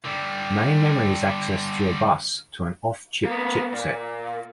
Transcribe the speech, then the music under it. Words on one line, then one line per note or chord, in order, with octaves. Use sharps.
Main memory is accessed through a bus to an off-chip chipset.
D3 G3
A#3 B3
A#2